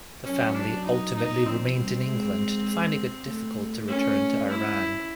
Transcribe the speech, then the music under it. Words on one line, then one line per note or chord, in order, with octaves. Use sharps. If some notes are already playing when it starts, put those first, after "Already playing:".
The family ultimately remained in England, finding it difficult to return to Iran.
F#3 C#4
D4
D#4
D#4
F3 C4
G3
G#3
A3
C#4
E4